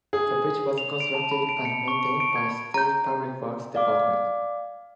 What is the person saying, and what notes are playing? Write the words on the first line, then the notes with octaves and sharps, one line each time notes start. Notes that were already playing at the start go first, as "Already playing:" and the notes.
The bridge was constructed and maintained by State Public Works Department.
G#4
F7
D7
A5
B5
D7
C#7
C#6
D7
D7
G#6
A#5 G6
D5 F5 D6